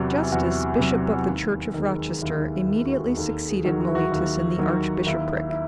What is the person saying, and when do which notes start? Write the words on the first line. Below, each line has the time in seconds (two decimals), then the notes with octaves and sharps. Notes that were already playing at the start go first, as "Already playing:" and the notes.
Justus, bishop of the church of Rochester, immediately succeeded Mellitus in the archbishopric.
Already playing: E2 C3 F#3
0.23 E4
0.32 E2 F#4
0.79 C3 F#3
1.26 D#2
1.74 D#3 G#3
2.21 D#2 E4
2.53 E4
2.69 D#3 G#3
2.85 F#4
3.05 G#4
3.17 D#2 A4
3.49 G#4
3.64 D#3 F#3
3.80 F#4
3.87 E4
3.95 F#4
4.12 D#2
4.59 D#3 F#3
5.06 D#2 E4
5.49 E4